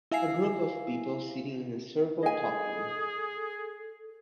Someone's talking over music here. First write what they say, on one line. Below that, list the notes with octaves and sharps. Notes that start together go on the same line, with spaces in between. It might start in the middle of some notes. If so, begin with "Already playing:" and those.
A group of people sitting in a circle talking.
E4 E5 F5 G#5 C7
G#4 A4 D#5 G#5